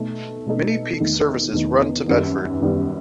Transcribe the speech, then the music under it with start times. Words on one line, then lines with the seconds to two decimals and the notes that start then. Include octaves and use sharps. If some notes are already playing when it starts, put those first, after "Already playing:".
Many peak services run to Bedford.
Already playing: B2 A3 D#4 A4
0.46 B2 A3 D#4 A4
1.00 E2 D#3 A3 D#4
1.54 E2 D#3 A3 D#4
2.08 F#2 D#3 G3 B3
2.61 F#2 D#3 G3 B3